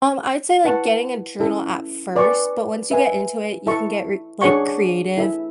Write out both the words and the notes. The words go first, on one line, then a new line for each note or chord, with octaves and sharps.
Um, I'd say, like, getting a journal at first, but once you get into it, you can get re like, creative,
E4 B4 F#5 A5 C#6
C#4 E4 A4
B4 D5 G#5 C#6
B4 E5 G#5
E4 A4 E5 A5 C#6
D4 G#4 C#5 F#5 C#6
E4 A4 E5